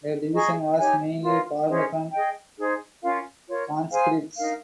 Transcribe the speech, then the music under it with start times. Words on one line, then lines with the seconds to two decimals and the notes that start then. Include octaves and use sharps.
The division was mainly formed from conscripts.
0.34 G#4 D#5 A#5 C#6
0.79 D#4 G4 C#5 G#5
1.23 F4 A#4 C#5
1.68 C#4 G#4 C5 D#5
2.13 G#4 D#5 G5
2.57 D#4 G#4 C5
3.02 C#4 F4 A#4 F5
3.47 F4 A#4 C#5
3.92 G#4 C5 F5 G#5
4.37 D#4 A#4 F5